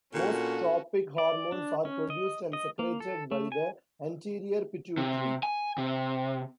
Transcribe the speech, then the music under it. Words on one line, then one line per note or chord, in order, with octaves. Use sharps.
Most tropic hormones are produced and secreted by the anterior pituitary.
A#2 C#4 D4 F4 F#4 A4
D5
D4
C#4
D#5
D#5
A#3
A4
A3
G#5
C3
G#5
C3